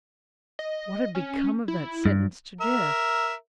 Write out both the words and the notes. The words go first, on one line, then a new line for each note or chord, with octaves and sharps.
What had become of that sentence to death?
D#5
C#4
E4
G2
A#4 E5